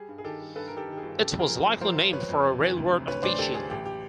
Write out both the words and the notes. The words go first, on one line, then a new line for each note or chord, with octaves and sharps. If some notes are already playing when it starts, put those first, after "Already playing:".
It was likely named for a railroad official.
Already playing: G3 G#4
G2
G#4
D#3 G4 A4
G3
G2 A4 B4
D#3 A#4
G4 A4
D#3 G4
G#4
G1
C#3 G4 A4
F2
G#4 A#4
F3
F#1
F3 A#4 C5
F3
F3 B4 C#5
F2
C3
E3
D2
C3
D2 B4 C#5
D2 C5 D5
D2 G4 A4
G3 G#4
A1 G4
G4